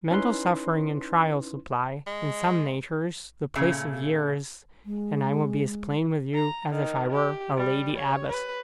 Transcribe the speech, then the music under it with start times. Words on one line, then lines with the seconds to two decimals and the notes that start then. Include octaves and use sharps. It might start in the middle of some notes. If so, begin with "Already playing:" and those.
Mental suffering and trial supply, in some natures, the place of years, and I will be as plain with you as if I were a Lady Abbess.
0.11 C#4 D#4 E4 B4 C6
2.07 G#3
3.55 A#2 C#3 A3
4.86 G#3
6.35 A#5
6.71 D#3
7.12 G4
7.57 G3
7.97 C#5
8.29 B4